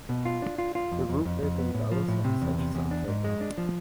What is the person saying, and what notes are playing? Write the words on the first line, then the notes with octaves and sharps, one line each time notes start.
The group later did other songs, such as "Upside Down".
B2
F4
D4
F4
F4
F2
F2
F2
F2
B3
A2
F3
A2
C3
E2
C3
E2
D4
G#2
G#3
D4
F3